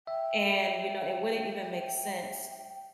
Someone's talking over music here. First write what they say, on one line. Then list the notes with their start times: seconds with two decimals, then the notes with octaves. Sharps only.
and, you know, it wouldn't even make sense
0.07 E5 G5